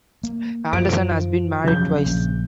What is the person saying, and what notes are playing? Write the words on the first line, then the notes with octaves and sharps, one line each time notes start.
Anderson has been married twice.
A#3
F#2 F3 C5 D7
E1 C#3 F3 F#3 G6
A#1 F3 A#3